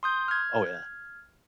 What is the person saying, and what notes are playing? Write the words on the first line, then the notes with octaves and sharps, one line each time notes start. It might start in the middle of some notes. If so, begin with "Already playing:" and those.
Oh, yeah.
C6 D#6 G6
F6 G#6